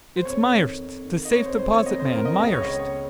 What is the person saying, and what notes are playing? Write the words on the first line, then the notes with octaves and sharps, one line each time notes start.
"It's Myerst--the Safe Deposit man. Myerst!"
C5
F2 C#5
D#3
F2
D#3
D#5
F2 C#5
C5
D#3 C5
C#5
F2 D#5
C5
D#3 A#4
D#5
C#2 D#5
C#5
D#5
C#3 C#5
C#5